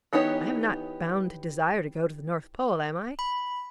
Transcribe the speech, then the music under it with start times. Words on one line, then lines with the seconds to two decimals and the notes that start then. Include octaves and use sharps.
I am not bound to desire to go to the North Pole, am I?'
0.13 E3 B3 D#4 G4 C#5
3.19 B5